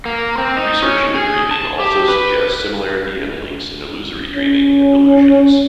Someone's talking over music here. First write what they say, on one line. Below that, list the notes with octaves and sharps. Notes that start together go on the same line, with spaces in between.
Research into dreaming also suggests similarity and links in illusory dreaming and delusions.
A#3
C4
D#4
C#4
G#4
A5
G4
B4
C#4